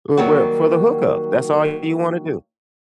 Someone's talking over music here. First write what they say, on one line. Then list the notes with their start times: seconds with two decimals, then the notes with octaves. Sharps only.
Wha where for the hookup, that's all you wanna do.
0.17 D#3 F#3 G3 A#3 F#4